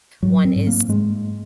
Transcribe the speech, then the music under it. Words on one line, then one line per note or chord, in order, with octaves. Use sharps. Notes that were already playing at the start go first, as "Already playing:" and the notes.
one is
G#2 F#3
C4
G#2
A#3
G#2 G#3